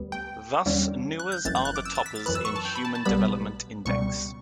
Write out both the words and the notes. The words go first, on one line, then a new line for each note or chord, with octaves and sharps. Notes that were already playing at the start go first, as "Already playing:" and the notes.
Thus, Newars are the toppers in Human Development Index.
Already playing: D2 D3 G3 B3
G5
E2 D3 G3 C#4
F#6
G6
G1 F#2 E3 A6
G6
F#6
D6
E6
A6
B6
A6
F#2 E3 B3 F#6
E6
C#6
A5
G5
B5
A5
A5
B1 B2 G3 B3 B5
C#2 B2 G3 C#6